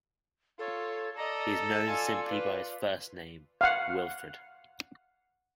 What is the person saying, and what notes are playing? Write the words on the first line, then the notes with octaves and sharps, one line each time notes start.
He is known simply by his first name, Wilfred.
F4 A4 C#5
A4 D5 D#5 A#5
F4 D5 G#5
B4
F5 F#5